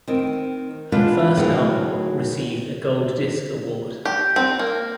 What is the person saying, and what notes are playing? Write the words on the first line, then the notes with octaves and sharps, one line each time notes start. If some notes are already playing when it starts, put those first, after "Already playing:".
Her first album received a Gold Disc Award.
D#3 C4
G#3 B3 D4 F4 B4 F5
D2 A2 D#3 F#3 G#4 F5
G4
C4
A#3